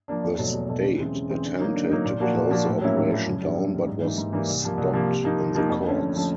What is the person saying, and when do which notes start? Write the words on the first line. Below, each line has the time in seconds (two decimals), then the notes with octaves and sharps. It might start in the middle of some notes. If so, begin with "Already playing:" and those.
The state attempted to close the operation down but was stopped in the courts.
0.08 F3 A#3 D4
0.23 E2
0.38 B2 F#3 A3
0.53 E2
0.68 B2 F#3 A3
0.83 C#3
0.99 E3 G#3 C4
1.14 C#3
1.30 E3 G#3 C4
1.44 D3
1.59 F#3 A#3 D#4
1.74 D3
1.90 F#3 A#3 D#4
2.05 A#2
2.20 F3 A#3 D4 F#4
2.35 A#2
2.51 F3 A#3 D4 F#4
2.66 A2
2.81 F#3 A#3 C#4 E4
2.96 A2
3.11 F#3 A#3 C#4 E4
3.26 F#2
3.41 D3 G3
3.57 F#2
3.71 D3 G3
3.87 G#2
4.02 E3 G3 A#3 D#4
4.18 G#2
4.33 E3 G3 A#3 D#4
4.48 C2
4.63 C3 F3 A#3
4.78 C2
4.93 C3 F3 A#3
5.09 C3
5.24 F3 A#3 D#4
5.39 C3
5.55 F3 A#3 D#4
5.69 F2
5.85 D3 F3 A3 C#4
6.00 F2
6.14 D3 F3 A3 C#4